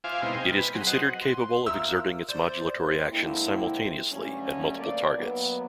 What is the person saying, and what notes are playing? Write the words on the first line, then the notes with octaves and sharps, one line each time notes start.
It is considered capable of exerting its modulatory actions simultaneously at multiple targets.
F4 C5 E5 F5 G#5 D6
B2 G#3 C4 D#4 E4 C5
D#5 G5 G#5
B4
F#3 C4 G#4
F#4 C5 D#5 F#5
C6
F4 A#4 E5 E6
C5 D5
D3 G#3 A#3 C4 E4
G2 D3 F#3 A3 C#4
D2 A3 A#3 D5
F#2 D#3 F#3 A#3 B3